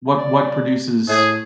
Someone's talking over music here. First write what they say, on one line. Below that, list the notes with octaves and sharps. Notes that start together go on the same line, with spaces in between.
what what produces
D5
A2 G#4